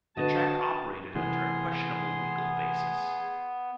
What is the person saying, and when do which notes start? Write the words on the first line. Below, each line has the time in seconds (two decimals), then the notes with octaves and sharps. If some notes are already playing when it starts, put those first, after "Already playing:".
The track operated under a questionable legal basis.
0.17 D3 F#4 B4 D#5 A5
1.15 C3 E3 A3 B3 G#4 C6